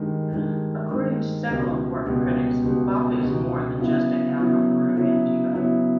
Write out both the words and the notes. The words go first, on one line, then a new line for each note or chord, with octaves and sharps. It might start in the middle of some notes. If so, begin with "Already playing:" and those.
According to several important critics Baca is more than just an Afro-Peruvian diva.
Already playing: G2 D#3 G#3
G2 D#3 G#3
G2 D#3 G#3
C#2 B2 G3 B3
C#2 B2 G3 B3
C#2 B2 G3 B3
C#2 B2 G3 B3
C#3 F#3 B3 E4
C#3 F#3 B3 E4
C#3 F#3 B3 E4
C#3 F#3 B3 E4